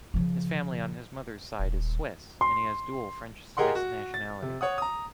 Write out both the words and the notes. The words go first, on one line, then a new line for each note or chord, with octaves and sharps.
His family on his mother's side is Swiss, and he has dual French-Swiss nationality.
C#3 F3
D#1
C6
G4 G#4 A#4 D#5 F#5 C6
F#4
A6
C3
C#5 F#5 D#6
A#5 D#6